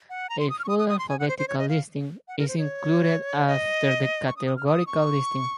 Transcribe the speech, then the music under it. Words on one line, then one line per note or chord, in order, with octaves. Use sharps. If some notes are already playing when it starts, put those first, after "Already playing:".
A full alphabetical listing is included after the categorical listing.
F#5
A#5
C6
D#6
F6
C#6
D#6
D#6
D#6
C6
G#5
F#5
C5
C5
C#5
D#5
F5
F#5
A#4
C5
C#5
D#5
C#6
D#6
D#6
F6
D#6
C#6